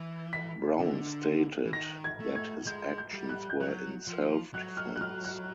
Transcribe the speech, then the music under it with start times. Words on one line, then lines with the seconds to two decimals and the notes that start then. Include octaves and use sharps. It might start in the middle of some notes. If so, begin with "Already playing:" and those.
Brown stated that his actions were in self-defense.
Already playing: E3
0.33 B6
0.80 D3
1.65 E3
1.73 D#3 A#6
2.04 G#6
2.20 A3
2.36 G#6
2.67 G#3 G6
2.98 G6
3.14 G3
3.29 F#6
3.50 G6
3.60 F#3 F#6
4.07 F3
4.54 F#3 F#6
4.77 F6
4.96 F#6
5.01 F6
5.25 F#6